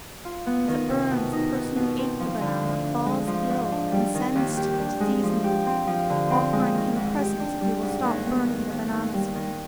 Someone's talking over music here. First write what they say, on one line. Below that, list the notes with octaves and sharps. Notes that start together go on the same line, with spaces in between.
As it burns, the person who ate the banana falls ill and sends to the disease-maker, offering him presents if he will stop burning the banana skin.
F4
B3
D#3
C3
B2
D#4
B3
B2
C4
F3
D3
D2
D4
G#3
F3
G#2
D4
G3
D#3
D#2
G4
D4
G#3
F3
G4
C4
F3
D3
C4
G#3
D#3
G#2
G4
D4
G3
G#2
D#2
B3
D#3
D#2
D#2
G3
D#3